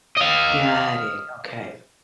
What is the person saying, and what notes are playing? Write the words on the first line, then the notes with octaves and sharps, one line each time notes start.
Got it, okay.
D#5 F5